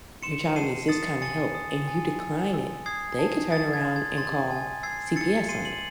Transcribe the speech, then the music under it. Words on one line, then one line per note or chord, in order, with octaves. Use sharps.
your child needs this kinda help," and you decline it, they could turn around and call CPS on you,
C6 C#7 E7
A5 C7 D#7
D#6 A6 C#7
G#5 A6 C#7
D#6
G#5
E6
E6
D#6 G#6 C7
A5
D#6 A6
G#6
C6
G#6
C6 A6
G#5
E6 G#6 C7
E6 A6 C#7
C6 C7 D#7
D#7 F#7